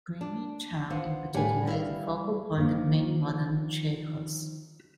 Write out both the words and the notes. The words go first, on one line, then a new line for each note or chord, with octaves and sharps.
The Dramyin Cham in particular is a focal point of many modern tsechus.
D4
B3 F4 C5
A2 G3 B4 G#5
E4 F5
D#3 F3 A#3